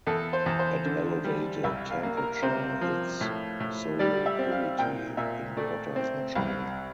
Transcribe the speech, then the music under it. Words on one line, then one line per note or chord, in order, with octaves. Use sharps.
At elevated temperature its solubility in water is much higher.
E2 A4
C5
E2
C5
D3
G3
C2 E5
F5
A#3
A#4
C3 C5
F3
A2
A2
G3 D5
E5
C4
F5
A#2 G5
A#2 E5
A3 D5
C4
C2